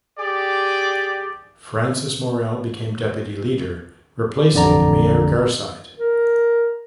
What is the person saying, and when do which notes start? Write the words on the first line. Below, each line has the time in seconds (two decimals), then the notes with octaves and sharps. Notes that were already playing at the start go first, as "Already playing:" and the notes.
Frances Morrell became Deputy Leader, replacing Mair Garside.
0.19 G4 G#4 D5
4.53 A1 F2 D3 D5 A#5
5.98 A#4